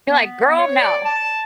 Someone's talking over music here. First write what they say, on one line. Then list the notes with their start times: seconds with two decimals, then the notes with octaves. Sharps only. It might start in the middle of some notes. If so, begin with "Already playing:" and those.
You're, like, "Girl, no."
0.10 B3
0.58 C#5
0.81 D5
1.05 A5